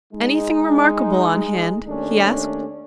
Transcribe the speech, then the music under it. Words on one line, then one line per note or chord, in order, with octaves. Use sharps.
"Anything remarkable on hand?" he asked.
G#3 D#4
D#2 A3 C#4 D4